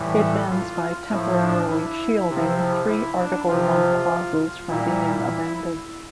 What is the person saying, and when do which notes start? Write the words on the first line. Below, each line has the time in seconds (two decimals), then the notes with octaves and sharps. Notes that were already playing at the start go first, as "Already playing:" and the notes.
It ends by temporarily shielding three Article One clauses from being amended.
Already playing: A2 E3 G3
0.19 A4
0.50 F4
1.09 A2 F3 E4
1.40 D4
1.70 E4
2.30 C3 F3
2.89 E4
3.19 D4
3.49 C3 F3 F4
4.69 A#2 G3 E4